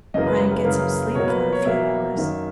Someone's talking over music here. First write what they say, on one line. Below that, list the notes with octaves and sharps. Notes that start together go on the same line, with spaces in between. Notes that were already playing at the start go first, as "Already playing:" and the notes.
Try and get some sleep for a few hours.
F#2 C#3 E3 A#3 D#5
B4
B4
B4
F#2 C#3 E3 A#3
B2 F#3 A#3 C#5
B4
B4
C#5
B2 F#3 A#3 E5
F#2 D#3 A#3